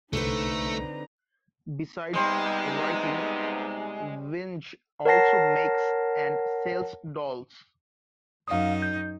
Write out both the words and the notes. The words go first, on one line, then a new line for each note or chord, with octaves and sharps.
Besides writing, Vinge also makes and sells dolls.
C2 D3 A3 C4 D#4 B4 A#5
C3 G3 G#3 B3 D#4 C5 D#5
A#4 C#5 F#5 A5 A#6 C7
F#2 D#4 F5 D#6
G6